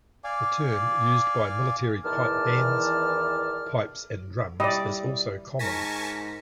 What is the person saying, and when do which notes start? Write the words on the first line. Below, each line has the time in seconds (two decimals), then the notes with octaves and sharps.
The term used by military pipe bands, pipes and drums, is also common.
0.24 D5 F5 G#5 D6
2.04 E2 D#3 E3 D5 A5 F6
4.60 G3 E4 D5 D#5
5.59 G#2 A#4 G#5 A5 C#6 A#6 B6